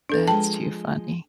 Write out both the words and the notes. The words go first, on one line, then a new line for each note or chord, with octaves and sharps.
That's too funny.
D4 A4 B4 D5
F3 G#3 G5 A5